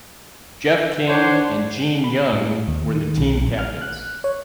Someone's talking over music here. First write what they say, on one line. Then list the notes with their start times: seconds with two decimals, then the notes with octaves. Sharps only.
Jeff King and Gene Young were the team captains.
1.09 D4 C5 C#5 F#5
2.04 B5
2.33 A2
2.68 D#2
2.95 D#3
3.18 B1
3.40 A#1
3.59 F6
3.82 F#6
4.24 C#5